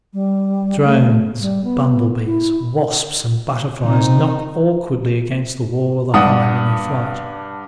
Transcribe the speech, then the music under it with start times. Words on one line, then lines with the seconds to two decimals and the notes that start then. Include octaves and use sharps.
Drones, bumblebees, wasps, and butterflies knock awkwardly against the walls of the hive in their flight.
0.13 G3
0.84 A3
1.41 G3
1.64 B3
2.25 E4
3.84 C3 C4 D#4
6.14 G2 D4 F#5 D#6